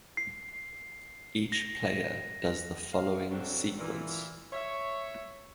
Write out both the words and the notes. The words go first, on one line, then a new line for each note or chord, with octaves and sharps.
Each player does the following sequence.
C7
A#6
F5
E2 F#3 C4 D4 A4
A#2 E3
C#5 E5